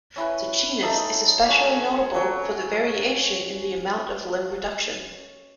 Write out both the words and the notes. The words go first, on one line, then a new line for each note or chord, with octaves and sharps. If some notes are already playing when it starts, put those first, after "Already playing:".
The genus is especially notable for the variation in the amount of limb reduction.
C#4 E4 B4
D#4 A4 E5
C#4 F#4 C#5
F#3 C#4 F#4 C#5